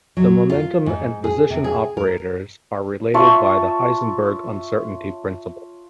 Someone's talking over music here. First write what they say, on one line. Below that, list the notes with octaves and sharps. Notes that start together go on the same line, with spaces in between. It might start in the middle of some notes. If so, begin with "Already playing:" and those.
The momentum and position operators are related by the Heisenberg uncertainty principle.
F#3
F4
G#2
G#4
C3
G#4
A#4
F4 C#5 E5 A5